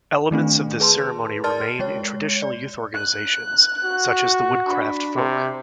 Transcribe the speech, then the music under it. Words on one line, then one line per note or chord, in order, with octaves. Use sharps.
Elements of this ceremony remain in traditional youth organizations such as the Woodcraft Folk.
D#3 A3 C4 D4
G#4 B4 A5 C6
A#4 D5 A5 C6 F6 A6
G#3 C#5
D5
F#6
F#4
D4 B5
C3